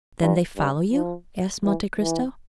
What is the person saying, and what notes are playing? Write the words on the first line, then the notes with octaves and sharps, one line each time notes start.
"Then they follow you?" asked Monte Cristo.
G2
G2
F3
E3
E3